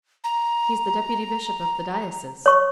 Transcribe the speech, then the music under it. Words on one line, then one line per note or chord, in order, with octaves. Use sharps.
"He's the Deputy Bishop of the diocese."
A#5
C#5 C#6